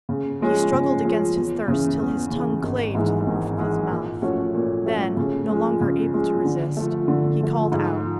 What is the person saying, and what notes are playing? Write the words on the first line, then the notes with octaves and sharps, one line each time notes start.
He struggled against his thirst till his tongue clave to the roof of his mouth; then, no longer able to resist, he called out.
C#3
F3 G#3 C#4
C#3
F3 G#3 C#4
E2
C#3 E3
E2
C#3 E3
G#1
G#2 E3 G#3
G#1
G#2 E3 G#3
A#2
F3 A3 C#4 F#4
A#2
F3 A3 C#4 F#4
C#3
F3 G#3
C#3
F3 G#3
D3
F3 A3
D3
F3 A3
G#2
F3